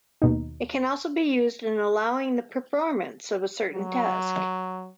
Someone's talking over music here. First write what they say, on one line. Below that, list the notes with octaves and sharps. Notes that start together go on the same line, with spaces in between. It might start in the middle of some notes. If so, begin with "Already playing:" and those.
It can also be used in allowing the performance of a certain task.
D#2 B2 D#4
F#3